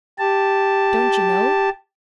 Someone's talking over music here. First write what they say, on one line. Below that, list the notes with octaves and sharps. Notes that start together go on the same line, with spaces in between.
Don't you know?
G4 A5